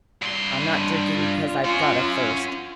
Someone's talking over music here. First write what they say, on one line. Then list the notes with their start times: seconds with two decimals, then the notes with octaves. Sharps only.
"I'm not drinking because I've got a thirst."
0.22 G2 C6
1.13 F4
1.65 C#4 F#5